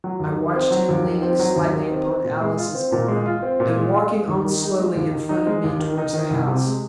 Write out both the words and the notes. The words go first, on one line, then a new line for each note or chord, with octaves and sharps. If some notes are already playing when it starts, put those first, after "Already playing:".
I watched him leaning slightly upon Alice's arm, and walking on slowly in front of me towards the house.
F#3
D#2
D#3
C4
F#3
D#2
D#3
C4
F#3
D#2
D#3
C4
C4
A#2
G#3
F4
C4
A#2
G#3
F4
C4
A#2
G#3
F4
G#3
D#2
D#3
D#4
G#3
D#2
D#3
D#4
G#3
D#2
D#3
D#4
D#3
C2
C3
G#3